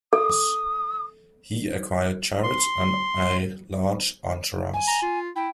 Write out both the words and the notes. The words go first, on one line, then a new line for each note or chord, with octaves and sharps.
He acquired chariots and a large entourage.
A4 D#6
C6
G#5
A#5
F4
E4 G5